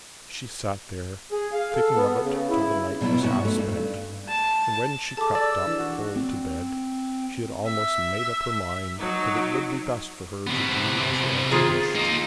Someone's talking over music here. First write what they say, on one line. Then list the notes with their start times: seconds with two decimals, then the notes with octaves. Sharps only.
She sat there, thinking of it till the night was half-spent, and when she crept up cold to bed, she had almost made up her mind that it would be best for her to do as her uncle wished.
1.32 G#4
1.53 F5
1.74 A4
1.96 B3
2.22 C#3
2.50 E4
3.01 B2 F#3 B3 E4
3.23 G#2 C#4 F#4
3.45 A3
3.58 G2
4.29 A5
5.17 G#4 A4 A5 D6
5.35 D5 E6
5.63 E3 D4
5.78 F#4
6.16 C4
7.66 E5
8.97 F#3 D#4
10.47 C3 B3
11.51 D#3 F4 G#4
11.95 A#3 D#4